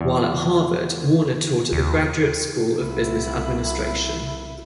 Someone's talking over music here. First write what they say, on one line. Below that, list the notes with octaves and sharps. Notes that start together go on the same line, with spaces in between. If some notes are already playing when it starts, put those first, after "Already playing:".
While at Harvard, Warner taught at the Graduate School of Business Administration.
E2
D#2
C2 E4